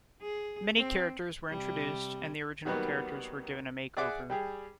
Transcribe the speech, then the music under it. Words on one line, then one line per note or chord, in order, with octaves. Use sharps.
Many characters were introduced and the original characters were given a makeover.
G#4
C4
C3 G3
D#3 F#3 G3 A#3 B3
G#4 D5 E5 F#5 D6 F#6
G3 G4 G#4